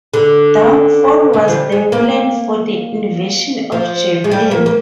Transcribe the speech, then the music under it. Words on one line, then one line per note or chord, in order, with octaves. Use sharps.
Downfall was the plan for the invasion of Japan.
D3
D3
F3
G3
G#3
A#3
F3
G#3
G3
A#3
A#3